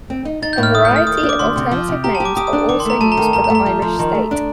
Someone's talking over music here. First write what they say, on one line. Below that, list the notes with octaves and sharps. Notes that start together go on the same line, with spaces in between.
A variety of alternative names are also used for the Irish state.
C4
D#4
D#4 A6
G6
A2
F6
D#2 D#6
G6
A3
F6
D#2 D#6
D#6
D4
D6
D2 C6
C3
F3
C3
G4 A#5
A5
G4
D6
G4 D#6
D#6
D4
D#6
D#3 D6
C6
A3 A#5
A3 A5
A#5
D#3
A5
G2 A#5
A#5
A3
A#5
F3
F3
D#3
A3
D4